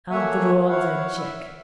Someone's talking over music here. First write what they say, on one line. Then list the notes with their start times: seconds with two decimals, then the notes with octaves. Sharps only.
"I'll draw the cheque."
0.11 A3 A#3 C#5 E5 F#5 G#5
0.69 E4 C#5 F5 F#5
1.17 E5